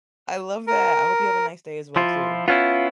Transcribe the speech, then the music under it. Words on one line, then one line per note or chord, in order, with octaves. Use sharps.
I love that, I hope you have a nice day as well, too.
A#4
F3 E4 F4
B3 C#4 E4 F4